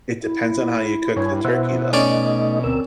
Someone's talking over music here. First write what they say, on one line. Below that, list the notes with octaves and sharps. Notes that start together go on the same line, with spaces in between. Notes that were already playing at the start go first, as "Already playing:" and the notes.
It depends on how you cook the turkey, though.
E4
G2 C#5 G#5
B2 C5 E5 F#5
A3 C#4 D#4 D5 D#5
D2 C4 A#4 E6